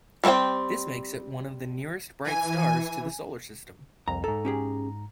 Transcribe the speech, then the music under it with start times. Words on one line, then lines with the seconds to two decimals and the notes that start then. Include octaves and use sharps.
This makes it one of the nearest bright stars to the Solar System.
0.24 G3 A3 C4 C5 G5
2.27 E3 G#5
4.08 C2 F2 A#5
4.24 G#2 A4 A#5
4.45 C#4 G4 G#4